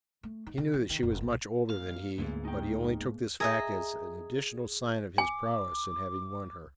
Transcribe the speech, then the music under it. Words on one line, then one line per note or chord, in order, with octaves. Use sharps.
He knew that she was much older than he, but he only took this fact as an additional sign of his prowess in having won her.
A3
D#4
C#3
E3
D#3
F1
B1
A#2 F5
D2 G#2 A#3 B3 G#4
D#4 G5
G#4 D#5 E5 A#5
G#5 D6